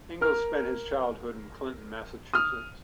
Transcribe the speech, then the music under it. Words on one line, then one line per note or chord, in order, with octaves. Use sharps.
Ingalls spent his childhood in Clinton, Massachusetts.
A#4 F6
D#6 F6